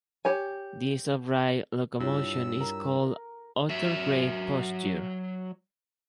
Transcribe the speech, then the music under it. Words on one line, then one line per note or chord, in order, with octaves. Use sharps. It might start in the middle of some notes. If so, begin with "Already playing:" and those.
This upright locomotion is called "orthograde posture".
G4 C#5 G#5
G2 E4 F4 C#5 E6
A#4
F#3 E5